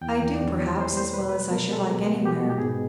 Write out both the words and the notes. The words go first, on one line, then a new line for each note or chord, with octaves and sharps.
I do, perhaps, as well as I should like anywhere.
E2 G5
E2
D5
E2 C#5
G3 C5
C5
G3
C5
B2
B4
G#3 B4
B2 A#4
G#3 A4
B2 G4
B2
G4
B2
G4
G#2 G#4